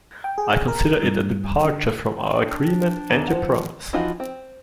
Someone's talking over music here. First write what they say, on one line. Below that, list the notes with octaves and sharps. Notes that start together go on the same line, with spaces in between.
I consider it a departure from our agreement and your promise.
G5
G#4
A#4
G2
D3
G5
D4
E2 A#5 E7
F3 F#5
E3 F3 D#4 F4 F#4
C4